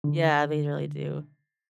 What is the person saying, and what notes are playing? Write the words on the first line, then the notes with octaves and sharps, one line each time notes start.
Yeah, they really do.
D3